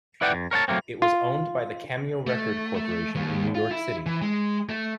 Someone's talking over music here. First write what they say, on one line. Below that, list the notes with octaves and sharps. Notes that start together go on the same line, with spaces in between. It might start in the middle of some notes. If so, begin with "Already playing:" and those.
It was owned by the Cameo Record Corporation in New York City.
E4 B4 D5 F#5 G5
F2
A#4 C#5 F#5 A5
F#3 A3 A#3 C4
F4
A3
A3
D#2
F4
E4
E3
G#3
A3